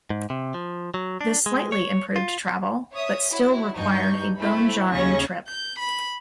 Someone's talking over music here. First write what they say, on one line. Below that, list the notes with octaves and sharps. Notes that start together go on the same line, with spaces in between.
This slightly improved travel, but still required a bone jarring trip.
G#2
C3
F3
F#3
D4
G#3
C#5
F4
C#5 E5 D#6
E4 F#4 C#5
G2 D#4 C#6 G6
A3 C4 E4 B5
D#2 C#3 C#4 C#6 A#6
G6
B5